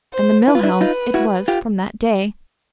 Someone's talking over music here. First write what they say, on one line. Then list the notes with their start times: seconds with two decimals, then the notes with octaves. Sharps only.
And the "Mill House" it was from that day.
0.14 C5
0.48 E4 B4
0.55 F4
0.63 D4 E4
0.81 D#4 F4
1.14 E4 F#4
1.48 F4 G4